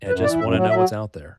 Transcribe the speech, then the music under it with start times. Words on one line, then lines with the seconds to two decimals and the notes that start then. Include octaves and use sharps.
and just wanna know what's out there,
0.08 F#2 B4
0.24 E3 D5
0.39 F#2 E5
0.54 F#3
0.70 F#3 E5